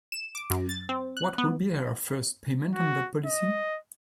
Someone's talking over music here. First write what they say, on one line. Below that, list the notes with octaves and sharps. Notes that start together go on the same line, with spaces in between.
What would be her first payment on that policy?
E7
D6
F#2
A6
C4
F#6
B3
F#4
D#5